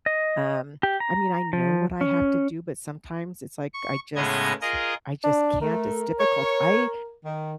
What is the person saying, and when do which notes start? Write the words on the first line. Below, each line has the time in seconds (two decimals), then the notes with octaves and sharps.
Um, I mean, I know what I have to do, but sometimes it's, like, I just I just can't. It's difficult. I
0.06 D#5
0.83 G4
1.00 A#5
1.53 F3
2.01 C#4
3.74 C#6
4.16 A2 C#3 G#3 B3 D#5 G#6
4.61 F4 G#4 A#4 D#5
5.24 D4
5.61 A3 A#4
6.19 C#5
7.25 D#3